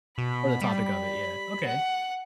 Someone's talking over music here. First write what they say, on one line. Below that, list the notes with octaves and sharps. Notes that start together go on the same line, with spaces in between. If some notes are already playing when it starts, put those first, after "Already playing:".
or the topic of it, yeah, okay.
B2 B5
G3
F#5